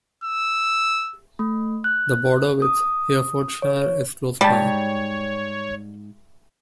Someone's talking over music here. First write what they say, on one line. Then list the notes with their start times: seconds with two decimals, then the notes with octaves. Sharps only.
The border with Herefordshire is close by.
0.24 E6
1.39 A3
1.84 F#6
2.62 D#6
3.62 C#5
4.41 G#2 G3 C#5 A5